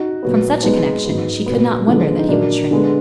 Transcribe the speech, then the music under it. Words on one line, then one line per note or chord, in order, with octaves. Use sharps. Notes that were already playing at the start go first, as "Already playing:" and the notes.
From such a connection she could not wonder that he would shrink.
Already playing: D#4 F#4
A#2 F#3 B3
B2 G#3 B3 D#4
G#2 F#3 B3
A#2 F#3 B3
D3 F3 G#3 B3
D#4
A#2 F#3 A#3 D4
D3 G#3 B3